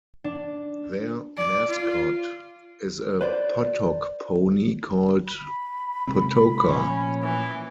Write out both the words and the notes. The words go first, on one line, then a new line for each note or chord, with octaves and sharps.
Their mascot is a pottok pony called "pottoka".
D4
D5
F4
B4 C5 D5
B5
C3 G#3 C4
A#2 F3 A3 C#4
E3